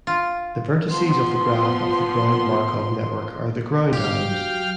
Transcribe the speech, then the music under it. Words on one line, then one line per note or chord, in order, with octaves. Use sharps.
The vertices of the graph of the ground Markov network are the ground atoms.
F4
F3 B3 C6
G1 G4 F5 G5 F6
F#3